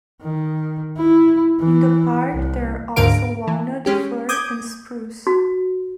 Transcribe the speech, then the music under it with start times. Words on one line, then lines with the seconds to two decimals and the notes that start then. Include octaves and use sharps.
In the park there are also walnut, fir, and spruce.
0.21 D#3
0.97 E4
1.60 E3
2.32 C2
2.96 D2 G#2 D3 A#4 F5 D7
3.47 E3
3.86 G#3 C#4 G4
4.29 D6 D#6 G6 G#6
5.27 F#4